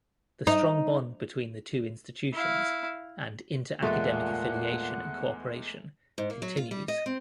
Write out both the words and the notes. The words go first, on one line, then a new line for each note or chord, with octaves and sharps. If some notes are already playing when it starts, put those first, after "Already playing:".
The strong bond between the two institutions, and inter-academic affiliation and cooperation, continues.
D#4
E4 F5
E2 A#2 G#3 A3 F#5
G#2
A#3
F#3
F4
G3
D#5
C4